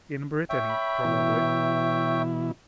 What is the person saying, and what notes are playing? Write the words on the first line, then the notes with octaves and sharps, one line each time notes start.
"In Brittany, probably."
C#5 E5 G5
B5
B2 E3 E4